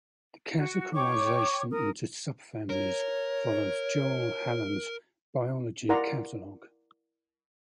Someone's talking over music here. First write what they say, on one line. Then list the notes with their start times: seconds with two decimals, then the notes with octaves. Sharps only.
The categorization into subfamilies follows Joel Hallan's Biology Catalog.
0.58 F#4
0.94 C#5 G5 C#6 D6
1.71 A#4 D#6
2.70 A#4 C#5
5.89 E4 A#4 D5 F#5 A#5 C6